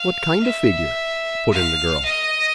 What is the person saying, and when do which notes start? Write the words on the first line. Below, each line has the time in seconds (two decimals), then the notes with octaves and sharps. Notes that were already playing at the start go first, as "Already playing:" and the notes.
"What kind of figure?" put in the girl.
Already playing: F5
0.43 E5
1.52 F5
2.05 D#5